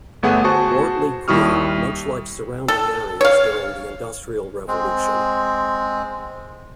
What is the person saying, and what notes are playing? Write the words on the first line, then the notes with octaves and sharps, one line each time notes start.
Wortley grew, much like surrounding areas during the industrial revolution.
G1 A3 B3 G#4 F#5
F#4 G#4 C5 A5 C#6
D#2 G3 E4 C#6 D#6 F6
A4
C#5 F5
G#3 C4